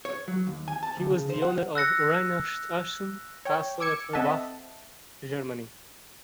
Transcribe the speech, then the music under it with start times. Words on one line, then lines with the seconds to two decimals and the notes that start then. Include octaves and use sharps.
He was the owner of Reinhartshausen Castle at Erbach, Germany.
0.05 C#5
0.28 F#3
0.47 D#2
0.68 G#5
0.83 A5
0.97 D2
1.10 C#3
1.30 C5
1.42 F#5
1.75 E6 F#6 A#6 C#7
3.45 C#5 G5
3.80 D6 E6 G#6 C#7
4.13 C4 A4 D#5 E5 F#5 A5